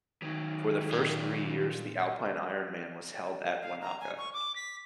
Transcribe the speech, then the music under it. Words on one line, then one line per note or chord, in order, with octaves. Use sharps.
For the first three years, the Alpine Ironman was held at Wanaka.
D#3 F#3
A#2
F5
A#5
G#5
C#6
D6
B6